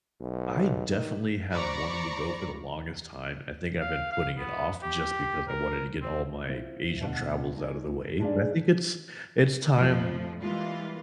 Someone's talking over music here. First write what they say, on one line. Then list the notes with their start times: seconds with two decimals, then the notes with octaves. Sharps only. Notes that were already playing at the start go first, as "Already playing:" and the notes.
I definitely have wanted to go for the longest time. I think I've been putting it off just because I wanted to get all my Asian travels out of the way, but I think it's it's time
0.20 B1
0.89 D#3
1.53 C5 D5 A#5 B5 C#6
3.81 F5
4.12 F5
4.38 B3
4.82 G4
5.48 A#4
6.01 C4
6.48 C4 E4 F4
7.01 B2 D3 C#5 F5 F#5
7.57 D#4 G#5
8.19 G#3 D4 D#4 G#4 D5 F5
9.74 F2 A2 F3
10.40 E3 G3 G#3 A#3 F4